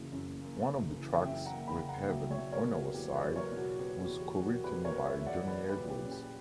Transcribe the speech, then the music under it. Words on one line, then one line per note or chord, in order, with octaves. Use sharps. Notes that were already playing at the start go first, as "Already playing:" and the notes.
One of the tracks, "With Heaven On Our Side", was co-written by Johnny Edwards.
Already playing: F#1 F#2 E3 A#3
F#2
A#3
F#1
E3
F#2 E5 G5
F#5 A#5
A#3
G5 B5
F#1
F#5 A#5
F#3 E5 G5
C#5 E5
B2
A#4 C#5
B3
F#4
E2 G4
B4 D5
F#3
A#4 C#5
B2
F#4
B3 G4
F#4
E2
G4
F#3
F#4 A#4
B2 G4 B4
A#4 C#5
B3
C#5 E5
E2 E5
D5 F#5
F#3 B4 D5
G4 B4
A#2
G4
C#4
G4